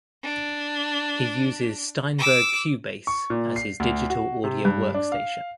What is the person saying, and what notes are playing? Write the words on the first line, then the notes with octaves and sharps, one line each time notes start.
He uses Steinberg Cubase as his digital audio workstation.
D4
D6 E6
C#6
A#2
C7
D2
F#4
C3
G2
D4
F5